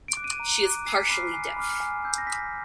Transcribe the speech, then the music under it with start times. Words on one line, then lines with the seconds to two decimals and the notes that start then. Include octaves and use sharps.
She is partially deaf.
0.08 D7
0.17 D6 F#6
0.24 D#7
0.40 A#5
0.63 D6 F#6
0.86 G#5 C7
0.99 B6
1.09 B5 D6 F6 C7
1.33 G#5
1.57 B5 D6 F6
1.80 G#5
2.03 B5 E6 G6
2.18 A#6
2.27 G#5 B6